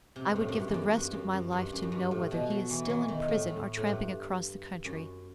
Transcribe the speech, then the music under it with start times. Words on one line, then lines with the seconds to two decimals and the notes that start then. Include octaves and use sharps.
I would give the rest of my life to know whether he is still in prison or tramping across the country.
0.16 C3
0.28 G2
0.36 A2
0.48 F#2
0.55 G2
0.68 E2
0.74 F#2
0.93 G2
1.13 F#2
1.33 F#2
1.52 G2
1.72 F#2
1.82 F#2
1.92 G2
2.11 A2
2.31 B2
2.50 F#3
2.70 E3
2.85 E3 F#3
3.08 D#3
3.28 A2
3.48 A2
3.77 A2
3.87 G2
4.85 F#2